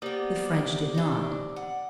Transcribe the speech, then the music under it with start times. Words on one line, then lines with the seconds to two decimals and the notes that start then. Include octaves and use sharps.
The French did not.
0.02 A#3 B3 G4 C5 D5 D#6
0.94 D4 D#4
1.56 F#5